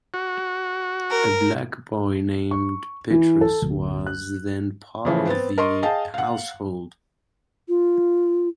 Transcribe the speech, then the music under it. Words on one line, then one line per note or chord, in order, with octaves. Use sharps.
A black boy named Petrus was then part of the household.
F#4
A#4
C#6
E3
A4
D1
F#6
C#3 E3 F3
B3 C4 A6
A#4 D#5 C6 C#6
G#4 D#5 F5 G5 A5
F5 F#5
F4